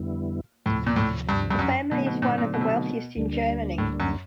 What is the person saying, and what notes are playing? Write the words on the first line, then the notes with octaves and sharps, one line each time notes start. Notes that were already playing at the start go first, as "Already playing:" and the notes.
The family is one of the wealthiest in Germany.
Already playing: F2 D3 G3 B3 E4
D2 A2 C3 F3
A#2
A2
G2
G2
F#2
B2 D3 F#3 A3 C4 D#4
B2
A#2
A#2
B2
C3
B2
D2 D3 G3 A#3 D4
A2
F#2